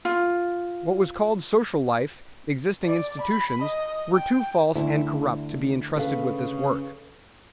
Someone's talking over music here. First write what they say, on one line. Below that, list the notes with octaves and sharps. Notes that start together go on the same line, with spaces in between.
What was called social life, existing institutions, were too false and corrupt to be intrusted with this work.
F4
D5
B5
D#5
G5
D2 E4
C#3 A4 B4 F5